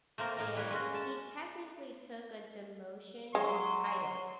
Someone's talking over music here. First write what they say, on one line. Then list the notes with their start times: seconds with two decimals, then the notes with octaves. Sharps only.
and he technically took a demotion in title,
0.18 A3 A#3 C4 A#4
0.37 A2 A#4
0.55 A#3 B4 C#5
0.71 G#3 C#4 F#4
0.94 A5
3.35 F#3 G#3 C6